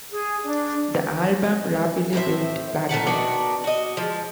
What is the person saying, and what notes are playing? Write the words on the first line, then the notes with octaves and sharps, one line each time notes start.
The album rapidly went platinum.
G#4
D4
A2 C4 C5 E5
A#2 C#3 A3 F#5
D#3 B3 D4 F#4
F#4 D#5
F3 G#3